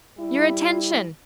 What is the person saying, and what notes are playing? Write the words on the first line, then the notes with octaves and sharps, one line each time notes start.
Your attention!
G3 E4